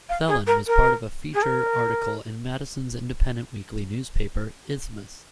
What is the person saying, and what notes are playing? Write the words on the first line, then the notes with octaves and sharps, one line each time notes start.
Thelen was part of a feature article in Madison's independent weekly newspaper, "Isthmus".
F5
G#4
A#4
A#4
G#4
A#4